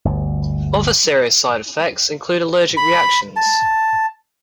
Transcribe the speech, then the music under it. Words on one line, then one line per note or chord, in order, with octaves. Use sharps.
Other serious side effects include allergic reactions.
G1 D2
B5
A5